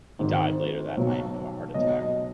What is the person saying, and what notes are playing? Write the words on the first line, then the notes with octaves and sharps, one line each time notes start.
He died later that night of a heart attack.
G#1 G#2 D#3
B1 B2 F#3
B1 B2 F#3 D#5
D#5